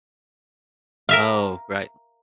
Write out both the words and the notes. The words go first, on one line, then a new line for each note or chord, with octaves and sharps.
Oh, right.
A#4 E5 F5